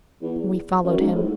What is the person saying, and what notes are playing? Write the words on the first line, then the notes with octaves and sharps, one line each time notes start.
We followed him.
E2
F#2
G#2
A2